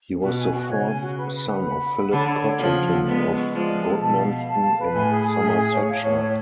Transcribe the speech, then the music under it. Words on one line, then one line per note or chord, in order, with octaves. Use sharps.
He was the fourth son of Philip Cottington of Godmanston in Somersetshire.
B2 F#4
G#5
F#4
C#3 C#5
G#5
F#4
B4
B4
F#5
B5
F#5
B5
D3 C#5
C#5
F#5
C#3 F3 C#5
F#5
A4
G#3 B3 D5
A4
C#6
F3 G#3 D5
A4
A4
B2 A5
F5
F5
A5
F5
B4
A2 G#5
G#4
G#4
A2 G#5
G#4
C#5
A2 F5
C#5
C#5